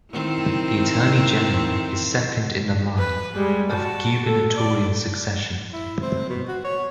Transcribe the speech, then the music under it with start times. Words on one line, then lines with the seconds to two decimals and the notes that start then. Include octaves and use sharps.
The Attorney General is second in the line of gubernatorial succession.
0.12 D#3 C4 E4
2.98 B4
3.35 G3 G#3
3.70 F#4 A5
4.25 A4
4.56 D5
5.73 E4
6.02 C4
6.30 B2
6.48 F#4
6.65 C#5